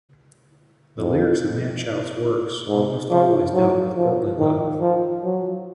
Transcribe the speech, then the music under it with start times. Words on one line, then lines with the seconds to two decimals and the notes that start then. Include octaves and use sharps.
The lyrics of Machaut's works almost always dealt with courtly love.
0.98 F2
2.68 G#2
3.10 F3
3.54 F#3
3.96 F3
4.38 D#3
4.80 F3
5.23 F#3